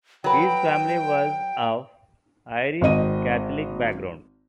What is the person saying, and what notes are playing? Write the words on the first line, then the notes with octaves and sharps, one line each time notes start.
His family was of Irish Catholic background.
F#3 B4 G5
G#1 C4 D#5 D#7